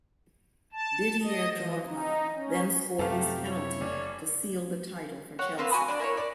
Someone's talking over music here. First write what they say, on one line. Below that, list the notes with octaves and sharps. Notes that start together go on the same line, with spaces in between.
Didier Drogba then scored his penalty to seal the title for Chelsea.
A5
D#5
E3
D#4
C#4
F#2 C3 A3 G4 A4 F5
E4 C#5 F7
F#1 D5
F#4 C#5 F#5
A#3 C4 B4 F5
F#4 G#5 B5 D#6
D4 D5
A#3 E4 C5 C#5
D5